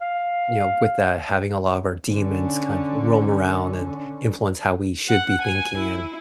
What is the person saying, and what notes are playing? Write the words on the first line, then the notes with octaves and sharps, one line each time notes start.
you know, with that having a lot of our demons kind of roam around and influence how we should be thinking and
F5
D3 C#4
F#5
G#5
E4